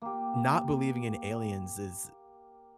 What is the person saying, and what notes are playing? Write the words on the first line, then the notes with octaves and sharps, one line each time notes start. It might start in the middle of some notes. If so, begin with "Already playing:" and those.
not believing in aliens is
A#3 G4